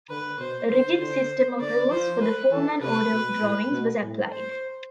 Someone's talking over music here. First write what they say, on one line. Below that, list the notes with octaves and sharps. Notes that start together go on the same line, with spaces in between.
A rigid system of rules for the form and order of drawings was applied.
D3 B4
B2 C5
D3 C5
D3 C5
D3 D5
F3 C5
B4
E3 A4
C3 B4
B2
A2
B2
A2
C5